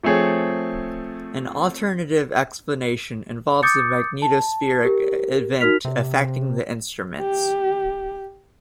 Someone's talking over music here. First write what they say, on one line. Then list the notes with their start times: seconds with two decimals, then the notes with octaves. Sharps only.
An alternative explanation involves a magnetospheric event affecting the instruments.
0.03 F3 A3 C4 G#4 C#5
3.63 D6 D#6 G6 A6 C#7
4.22 A5
4.84 G4 A#4
5.60 D#4 F#4 A#4 F6 B6 F7
5.85 C3
7.20 G4